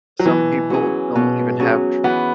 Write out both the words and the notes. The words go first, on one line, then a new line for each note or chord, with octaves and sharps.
Some people don't even have dr
F#3
B2 E3
F#3 C#4 G#4
B2
F#3 C#4 G#4
E3 B3